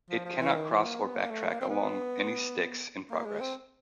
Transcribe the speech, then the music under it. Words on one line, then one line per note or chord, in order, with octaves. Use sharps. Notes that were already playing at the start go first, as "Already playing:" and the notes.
It cannot cross or backtrack along any Stix in progress.
F3
F3
E3
D#3
E3
A#3
B3
A#3
A3
A#3
C4
B3
A#3
G#3
C4